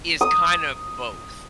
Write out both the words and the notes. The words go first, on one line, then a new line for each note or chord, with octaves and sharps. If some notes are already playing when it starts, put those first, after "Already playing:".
is kinda both.
D#6